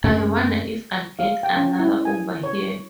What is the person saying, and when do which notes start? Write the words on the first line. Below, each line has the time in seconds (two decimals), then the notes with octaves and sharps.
I wonder if I'll get another over here.
0.04 F#2 C3 A3 C#4
1.19 F5
1.43 G5
1.57 C#4
1.79 E4
2.05 G#5
2.43 C#5